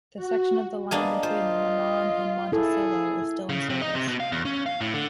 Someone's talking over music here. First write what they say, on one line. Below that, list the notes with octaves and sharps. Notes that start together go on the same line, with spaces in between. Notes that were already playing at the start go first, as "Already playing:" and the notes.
The section of the line between Monon and Monticello is still in service.
F#4
A#3 B3 D4 G#4 D#5
F4 C5
E4 G#4 A4
C#3
C3
D#4
C3
B2
F5
E2
C#4
F5
A2
D3